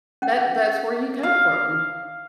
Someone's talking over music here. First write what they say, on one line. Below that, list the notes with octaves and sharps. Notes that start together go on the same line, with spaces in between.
That that's where you come from,
C#4 F#5
F5